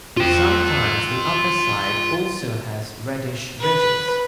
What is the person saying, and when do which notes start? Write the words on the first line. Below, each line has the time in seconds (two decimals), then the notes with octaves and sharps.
Sometimes the upper side also has reddish ridges.
0.17 F4 G5
3.60 B4